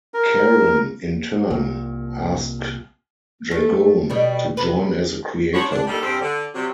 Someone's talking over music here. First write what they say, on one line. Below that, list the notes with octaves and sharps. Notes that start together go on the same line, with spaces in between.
Caron, in turn, asked Dragone to join as a creator.
A#4
C2 A#2
A3
B2 G3
C3 B4
B3 D4 C5 C#5
D4
G3 A#3 D4 D#4 G4 A4
E2 G2 G3 C4
D3
C3 F#3 G3